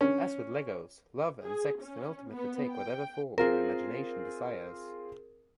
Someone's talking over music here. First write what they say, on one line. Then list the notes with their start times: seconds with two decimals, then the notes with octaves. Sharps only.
As with Legos, love and sex can ultimately take whatever form your imagination desires.
0.01 C#4
1.44 G#4
1.81 C#4
2.31 B3
2.72 G5
3.38 C4 F4 G#4 A#4